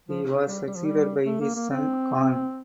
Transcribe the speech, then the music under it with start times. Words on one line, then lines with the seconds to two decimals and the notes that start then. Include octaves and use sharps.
He was succeeded by his son Kang.
0.08 F3
0.47 G3
0.67 G3
0.76 F3
0.85 G3
1.26 A3
1.41 A#3
1.55 A#3
1.70 C4